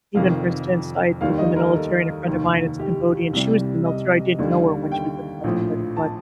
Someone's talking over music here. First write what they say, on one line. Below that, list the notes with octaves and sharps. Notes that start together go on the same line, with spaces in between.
even for instance, I was in the military and a friend of mine is Cambodian, she was in the military, I didn't know her when she was in the military, but
F1 F2 D#3 F5
D#2 D#3 G3 F5
D#5
A#4
A4
F1 D#2 D#3
G4
C2 C3 G3
D#5
D#2 D3 G3
G5
A#1 A2 F3
A5